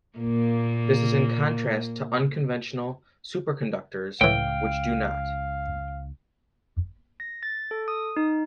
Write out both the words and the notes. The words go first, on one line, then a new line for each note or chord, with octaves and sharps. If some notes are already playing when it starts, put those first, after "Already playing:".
This is in contrast to unconventional superconductors, which do not.
A#2 A#3
C#2 A2 E3 F5 G5
A#6
A6
A4
D#6
D#4